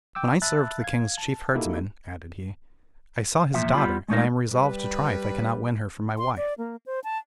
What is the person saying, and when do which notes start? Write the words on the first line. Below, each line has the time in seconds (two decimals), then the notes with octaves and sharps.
'When I served the king's chief herdsman,' added he, 'I saw his daughter, and I am resolved to try if I cannot win her for my wife.'
0.15 G5 D6 E6
0.42 E5 A5 B5 E6 F#6 A6
0.82 F5 G#6
1.18 A5
1.54 A#3 D#4 E4 F#4 G4 A4
3.54 E2 A#2 F3 E5
3.73 G3 B3 F4 B5
4.08 G#3 A3 D#4 A#4
4.50 G3 B4
6.18 C6
6.37 D5
6.58 A#3
6.86 C5
7.04 A5